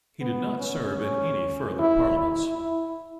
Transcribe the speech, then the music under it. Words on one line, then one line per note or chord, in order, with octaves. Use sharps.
He did not serve in any further Parliaments.
B3
C#4
E4
E4
E4